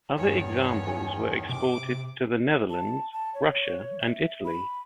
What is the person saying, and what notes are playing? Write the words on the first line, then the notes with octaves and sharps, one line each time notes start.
Other examples were exported to the Netherlands, Russia and Italy.
E2 G2 D#3 C#5 G#5
C3 D6
A5
A5
C#5
E5
B5